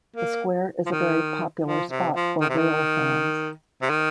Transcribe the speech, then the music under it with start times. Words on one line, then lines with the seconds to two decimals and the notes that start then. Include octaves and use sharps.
The square is a very popular spot for railfans.
0.16 A#3
0.86 F3
0.91 D#3
1.66 F3
1.91 C3
2.16 F3
2.41 D#3
2.49 C3
2.58 D#3
3.82 C3
3.90 D#3